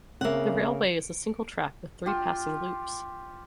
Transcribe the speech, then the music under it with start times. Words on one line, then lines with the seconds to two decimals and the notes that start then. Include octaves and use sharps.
The railway is single track with three passing loops.
0.21 C#3 A#3 C4 E5 F#5
2.06 F4 G4